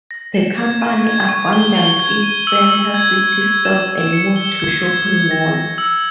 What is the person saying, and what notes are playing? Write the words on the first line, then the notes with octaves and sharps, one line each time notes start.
The company abandoned its center-city stores and moved to shopping malls.
A#6
E7
G#6
C#6
G#6
C#6
G7
G7
G#6
D#7
E6
E6
G#6
G#6
G#6
E7
G#6
C#7
G7
G#6
G#6
G#6
A#6
A#6
E6